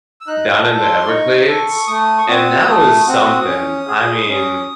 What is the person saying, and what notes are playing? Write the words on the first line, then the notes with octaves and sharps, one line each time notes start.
down in the Everglades, and that was something. I mean,
E6
D#4 F#6
A5
A4
C6
D#4 C#6
A4
A3 D#6
C#6
C4 F#4 D#6
E6
A3 D#6
C4 F#4
C#4
G#4
C#4